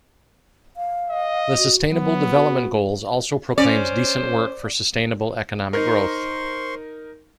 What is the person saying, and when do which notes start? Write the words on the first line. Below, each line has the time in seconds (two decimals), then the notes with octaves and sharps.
The Sustainable Development Goals also proclaims decent work for sustainable economic growth.
0.77 F5
1.10 D#5
1.58 F#4
1.90 F#3 B3
2.35 F#4
3.58 C#4 C5 D5
5.73 D#4 A#4 C5 C6 C#6